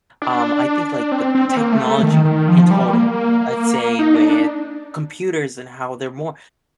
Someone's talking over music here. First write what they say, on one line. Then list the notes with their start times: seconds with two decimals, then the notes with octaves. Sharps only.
Um, I think like the technology in total, let's say with computers and how they're more
0.22 D4
1.12 C4
1.35 C4
1.49 C4
1.57 A#3
1.72 A3
1.87 A3
2.03 D#3
2.25 D#3
2.48 F3
2.71 G3
2.93 A#3
3.99 D#4
4.14 D4
4.22 D#4
4.29 D4